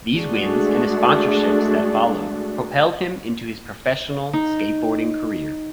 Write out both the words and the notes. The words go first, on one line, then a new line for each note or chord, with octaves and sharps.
These wins, and the sponsorships that followed, propelled him into his professional skateboarding career.
G#3 A3 D4 F#4 G#4
D#4